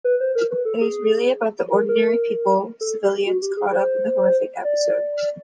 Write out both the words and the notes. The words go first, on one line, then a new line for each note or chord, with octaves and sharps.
It is really about the ordinary people, civilians, caught up in that horrific episode.
B4
C5
A#4
B4
A4
G#4
A#4
A#4
A4
G4
F#4
G4
G#4
C5
D5